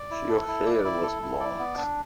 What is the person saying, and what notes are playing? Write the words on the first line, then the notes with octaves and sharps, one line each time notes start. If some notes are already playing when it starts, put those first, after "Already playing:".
Her hair was blonde.
Already playing: D5
E4
A4
E4
D5
E4
A4
E4
D5
B3
D4